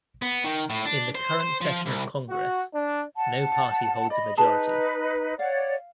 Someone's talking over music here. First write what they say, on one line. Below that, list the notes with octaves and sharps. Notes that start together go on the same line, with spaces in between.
In the current session of Congress, no party holds a majority.
B3
D#3
A2
D4
C5
C5
F3
C2
F#4
D4
F#5 A5
D5 D#5 B5
D#4 G#4 B4 A5 A#5
C#5 D5 F5 F#5